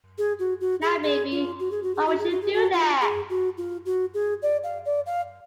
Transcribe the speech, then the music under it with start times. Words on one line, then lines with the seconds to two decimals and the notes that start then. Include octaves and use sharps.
Now, baby, why would you do that?
0.18 G#4
0.39 F#4
0.61 F#4
0.82 G#4
1.03 G#4
1.32 F4
1.59 F#4
1.71 G#4
1.83 F#4
1.95 G#4
2.07 F#4
2.19 G#4
2.30 F#4
2.42 G#4
2.53 F#4
2.73 F4
3.01 G#4
3.30 F#4
3.58 F4
3.86 F#4
4.14 G#4
4.42 D5
4.64 F5
4.85 D5
5.06 F5